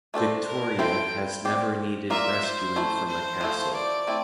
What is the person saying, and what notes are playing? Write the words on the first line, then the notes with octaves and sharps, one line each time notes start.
Victoria has never needed rescuing from a castle.
A3 D4 A4 C5
A#4
C4 E4 A4 C5 G5
C4 G4 D5
A#3 F4 A#4 D5 E5
C5
A3 E4 A4
C5
F3 A3 E4 A4
D5
A3 C4 E4